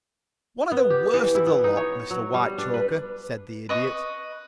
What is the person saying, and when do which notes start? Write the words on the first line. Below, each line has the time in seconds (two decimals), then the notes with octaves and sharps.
"One of the worst of the lot, Mr. Whitechoker," said the Idiot.
0.72 B3
0.90 G4
1.14 E3
1.35 E4
1.47 B3
1.64 D#4
1.77 C#5
2.11 F#3
2.34 G3
2.58 D4
2.74 B4
3.69 B4 D#5 C#6